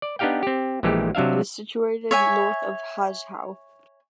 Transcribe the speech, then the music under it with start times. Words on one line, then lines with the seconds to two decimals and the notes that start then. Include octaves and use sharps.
It is situated north of Hezhou.
0.02 D5
0.19 B3 D4 D#4 G4 F5 G5
0.43 C4 G4
0.83 A#1 A#2 E3 G#3 A3 G4
1.15 C3 F#3 D4 E5 F5
2.11 C#5 E5 G#5